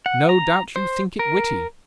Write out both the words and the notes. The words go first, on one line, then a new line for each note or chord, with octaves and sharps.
No doubt you think it witty!
F#5
A#5
C5
A#4